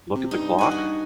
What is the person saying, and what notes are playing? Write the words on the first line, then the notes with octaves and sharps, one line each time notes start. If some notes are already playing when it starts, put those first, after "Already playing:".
Look at the clock?
C3
G2 D#4
D#5 F#5 G#5
F#4